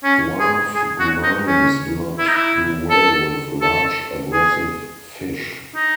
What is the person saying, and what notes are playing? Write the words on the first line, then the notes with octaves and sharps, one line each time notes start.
Dwarf gouramis do not do well with large, aggressive fish.
C#4
G#4
G#4
F#4
D#4
C#4
E4
D#4
E4
A4
A4
G#4
D#4